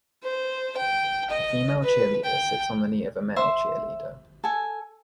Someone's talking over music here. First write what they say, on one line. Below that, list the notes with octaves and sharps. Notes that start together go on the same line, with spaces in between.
A female cheerleader sits on the knee of a male cheerleader.
C5
G5
D#5
B4
G5
C5 E5 C6
A4 G#5